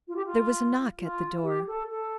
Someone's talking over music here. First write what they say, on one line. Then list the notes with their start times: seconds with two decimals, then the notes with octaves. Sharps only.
There was a knock at the door.
0.08 F4
0.16 G4
0.25 F4
0.98 F4
1.43 G4
1.67 A4
1.90 A4